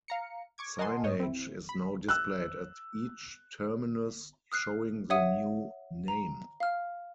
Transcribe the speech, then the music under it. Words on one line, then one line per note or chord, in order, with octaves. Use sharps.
Signage is now displayed at each terminus showing the new name.
F5 A#5 C#7
C#6 D6 G#6
A#4 D#5 F#5 G#5 A5 C6
G#2 C#5 D#5
C4 E4
B5
E6 F#6
D#6 F6 F#6 C7
C#5 E5 F#5 D#6 D#7
A#5
F5 F6